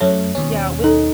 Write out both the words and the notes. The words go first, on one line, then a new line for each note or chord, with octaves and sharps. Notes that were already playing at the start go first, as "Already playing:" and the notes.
yeah, with
F#2 A3 C#5
D#2 B2 C#4
D#4 A4